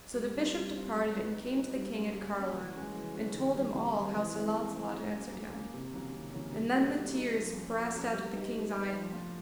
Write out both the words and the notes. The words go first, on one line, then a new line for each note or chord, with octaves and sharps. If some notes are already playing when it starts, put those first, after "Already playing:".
So the Bishop departed and came to the king at Carlisle, and told him all how Sir Launcelot answered him; and then the tears brast out of the king's eyen.
G3
C4 F4
G3
C4 F4
F#3
B3 D#4 F#4
F#3
B3 D#4 F#4
G3
A#3 C#4
G3
A#3 C#4
E3
G#3 C#4 F#4
E3
G#3 C#4 F#4
D#3
G3 C4
D#3
G3 C4
E3
G#3 C4 E4
E3
G#3 C4 E4
F#3
A#3 C#4
F#3
A#3 C#4
C3
D#3 F#3 A#3 C#4
C3
D#3 F#3 A#3 C#4
G3
A#3 D#4 F#4 A4
G3
A#3 D#4 F#4 A4
F3
A#3 C#4 F#4 A4
F3
A#3 C#4 F#4 A4
G3
B3 D#4 G4
G3
B3 D#4 G4
F3
A3 D4 F4